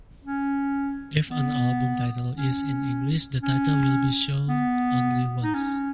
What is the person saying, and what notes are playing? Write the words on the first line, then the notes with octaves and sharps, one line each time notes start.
If an album title is in English, the title will be shown only once.
C#4
B3
C#4
C#4
B3
D#4
C#4